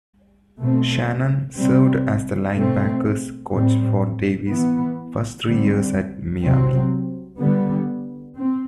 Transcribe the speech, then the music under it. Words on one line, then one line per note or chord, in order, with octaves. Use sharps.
Shannon served as the linebackers coach for Davis' first three years at Miami.
B2 A3 C4
C3 G3 C4
B2 A3 C4
A2 G3 C4
E3 B3
D3 G3 C4
C3 F#3 C4
D3 G3 B3
C4